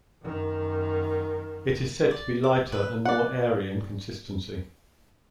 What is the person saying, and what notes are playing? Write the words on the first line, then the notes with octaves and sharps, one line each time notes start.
It is said to be lighter and more airy in consistency.
F#2 D#3
D5
D6
B4
D5 F#5